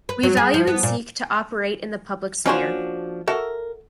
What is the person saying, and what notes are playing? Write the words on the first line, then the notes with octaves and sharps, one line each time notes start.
We value and seek to operate in the public sphere.
B4
F#3
G#4
F3
B3
A#2
F3 A#3 C#4 D4 F#4 C5
F#4 A4 A#4 E5